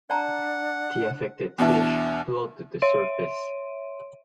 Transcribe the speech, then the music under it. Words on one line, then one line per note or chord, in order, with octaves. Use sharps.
The affected fish float to the surface.
D4 D5 F#5 A5 A#5
E2 B2 D4 E4
C#5 E5 C6 D7 D#7